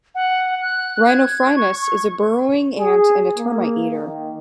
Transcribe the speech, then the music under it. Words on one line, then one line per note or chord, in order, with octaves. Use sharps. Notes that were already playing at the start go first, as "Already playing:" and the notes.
"Rhinophrynus" is a burrowing ant and termite eater.
F#5
F#6
G#6
C#6
C#6
G#4
A#3
D#3